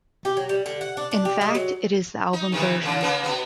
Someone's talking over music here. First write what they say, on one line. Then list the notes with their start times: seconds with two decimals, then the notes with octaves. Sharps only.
In fact it is the album version.
0.25 G4
0.37 F#3
0.49 G3
0.66 D3
0.81 F#5
0.97 D4
1.11 D4
1.25 G4
1.41 G#3
1.55 F#3
2.33 D#4
2.52 C3 D#3 E3
2.83 A#2 C#3
3.02 C#3 A#3 B3
3.24 B2 B3